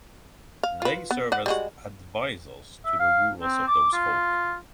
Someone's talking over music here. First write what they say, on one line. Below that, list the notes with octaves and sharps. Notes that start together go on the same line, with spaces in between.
They serve as advisors to the rulers of those folk.
F5
F4 B4
B3
B4 D5 F#5
G3 G#3 F#4
E5
F5
C4
D6
F4